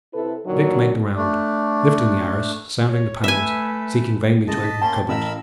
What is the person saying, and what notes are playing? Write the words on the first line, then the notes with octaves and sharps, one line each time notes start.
Dick made the round, lifting the arras, sounding the panels, seeking vainly to open the cupboards.
C3 E4 A4 B4
A#2 D3 D#3 F#3
A3 D4
C#5
A3 B4 E5 G#5
C#2 A2 G#3 D#5 A5
B6
A#3 C#4 G5 A5 C6
A1 A#4 F5 B5 E6 E7